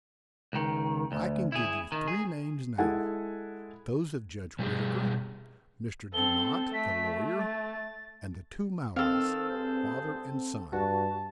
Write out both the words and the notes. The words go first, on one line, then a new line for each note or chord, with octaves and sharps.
"I can give you three names now. Those of Judge Whittaker, Mr. Dumont, the lawyer, and the two Mowries, father and son."
C#2 D#3
D2
E4 G#4
D#3
G#4
G#3 E4 A4 F#5 G#5
B2 G3 G4 G#4
C4 A4 G7
A3 B6
A6
D#3 C4 A4 F5 E6
G2 G#4 C5
G2 F#4 A5